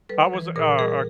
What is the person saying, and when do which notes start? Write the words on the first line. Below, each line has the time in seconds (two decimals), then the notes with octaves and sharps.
I was, a, uh uh
0.09 G3 A4 B4
0.33 E3
0.56 A#2 G#4 A#4
0.78 G3 G#4 A#4